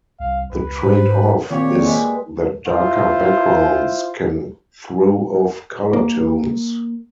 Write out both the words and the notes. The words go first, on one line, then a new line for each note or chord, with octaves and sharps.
The trade-off is that darker backgrounds can throw off color tones.
C2 F5
C#2 B4
G#2 C5
A#2 D#3 C4 G4 C#5 D5
G#3 B4
E4 F4 C5
A#3